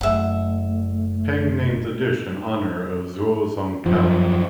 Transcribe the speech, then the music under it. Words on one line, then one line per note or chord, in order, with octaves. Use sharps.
Peng named the dish in honour of Zuo Zongtang.
F#1 A3 E5 F#5
F#2 F3